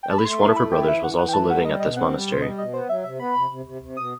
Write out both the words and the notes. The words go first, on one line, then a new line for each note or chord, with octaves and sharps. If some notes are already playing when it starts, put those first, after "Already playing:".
At least one of her brothers was also living at this monastery.
G5
A5
B5
A3 C6
E4 C6
A5
A3 B5
E4 G5
E3 E5
E3 F#5
E3 F#5
G5
A3 A5
G3 F#5
G3 D#5
B2 D#5
C4 F#5
G3
B2
C5
G3 D#5
B2 D#5
B3 C5
F#3 E5
C3 E5
B3 B5
C3
C3
C3
C3
B2 D#6